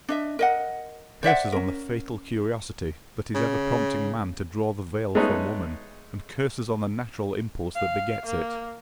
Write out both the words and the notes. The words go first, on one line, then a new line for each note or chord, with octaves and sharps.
Curses on the fatal curiosity that is ever prompting man to draw the veil from woman, and curses on the natural impulse that begets it!
D4 D#5 E5
A#4 D#5 F#5
C5 D5 E5 F#5
C#4 A#4
C#3
G#3 A3 B3 C#4 D#4
F5
A#3